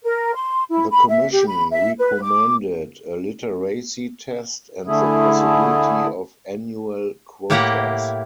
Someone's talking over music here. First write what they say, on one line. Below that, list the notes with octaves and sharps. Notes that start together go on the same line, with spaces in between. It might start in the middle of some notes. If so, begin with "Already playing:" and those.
The Commission recommended a literacy test and the possibility of annual quotas.
A#4
C6
E4
B5
E5
G4
B5
E5
B4
D6
D3 A3 E4 G#4
A2 A#3 E4 G4 F#5 A#5